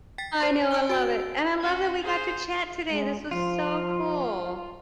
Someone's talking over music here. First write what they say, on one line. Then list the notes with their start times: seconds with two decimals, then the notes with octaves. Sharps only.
I know, I love it. And I love that we got to chat today. This was so cool.
0.18 G5 A6 B6
0.40 C5 D5 C6
0.71 G#5 A5 E6 F#6 G7
0.89 F#4 E6 D7
1.62 C#4 F#4
2.01 G#4 C5
2.90 G#3
3.31 F3 F4